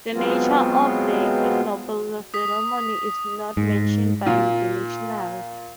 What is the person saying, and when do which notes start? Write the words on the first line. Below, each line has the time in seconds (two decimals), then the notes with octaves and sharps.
The nature of the ignoble ceremony is not mentioned by the missionary.
0.13 B2 F#3 G#3 B3 C4 F4
2.34 D#6 B6
3.57 G#2
4.26 A#2